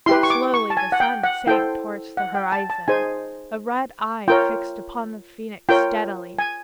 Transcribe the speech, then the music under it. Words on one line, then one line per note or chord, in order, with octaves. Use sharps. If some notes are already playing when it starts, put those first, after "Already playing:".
Slowly the Sun sank towards the horizon, a red eye fixed upon the Phoenix steadily.
E4 G4 B4 C6
C#6
D6
C#6
A5
G#5
F#5
G5
F#5
E4 A4 C5 G5
F#5
G5
A5
A5
D#4 G#4 C5 G#5
F4 A#4 C#5 G5
F4 A#4 C#5 G5
G#5